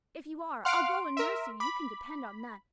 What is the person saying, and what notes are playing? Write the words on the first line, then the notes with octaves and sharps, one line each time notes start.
If you are I'll go and nurse you, you can depend on that.
F5 F#5 C6 F6 D7
A#4 E5
B5 D6